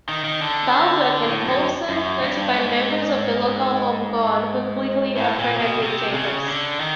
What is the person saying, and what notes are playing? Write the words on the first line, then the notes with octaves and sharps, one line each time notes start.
Baldock and Coulson notified members of the local Home Guard who quickly apprehended Jakobs.
D#3
D#3
D3
A2
F#2
F#2
G2
G#2
A2
A#2
B2
C3
C#3
D3
D#3